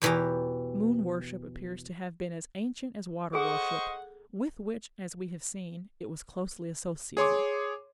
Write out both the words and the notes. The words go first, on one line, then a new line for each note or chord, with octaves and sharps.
Moon worship appears to have been as ancient as water worship, with which, as we have seen, it was closely associated.
E2 B2 E3 G4 A#5
G#4 A4 C5 D#5 F#5 C#6
G#4 C#5 C6 D6